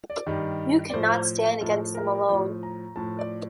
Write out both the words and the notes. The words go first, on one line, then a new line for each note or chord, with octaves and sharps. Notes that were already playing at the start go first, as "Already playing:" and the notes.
You can not stand against them alone.
D5
G2 D#3 G3
D5
A2 F3 C5
A2 F3 A4
A#4
A2 F3
A#5
A2 F3 A5
D5